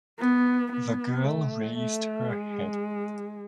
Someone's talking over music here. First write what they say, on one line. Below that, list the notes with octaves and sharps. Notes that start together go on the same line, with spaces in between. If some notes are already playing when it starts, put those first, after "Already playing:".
The girl raised her head.
B3
B3
A3
A3
G#3